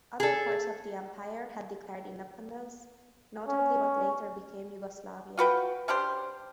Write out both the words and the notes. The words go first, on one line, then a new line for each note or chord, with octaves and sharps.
Other parts of the empire had declared independence, notably what later became Yugoslavia.
G#4 A4
C#4
F4 F#4 B4 G5
C#4 D4 G4 C5